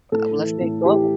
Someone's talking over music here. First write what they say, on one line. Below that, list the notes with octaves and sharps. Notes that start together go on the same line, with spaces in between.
a well, let's say global.
A2 A4
E3
A2
E3 G4